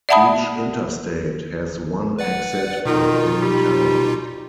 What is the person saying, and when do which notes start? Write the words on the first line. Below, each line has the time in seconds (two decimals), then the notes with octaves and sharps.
Each interstate has one exit within town.
0.09 D5 E5 F#5 A5 B5 D#6
2.19 B4 D5 F#5
2.85 B2 D#3 D#4 F4
3.42 G3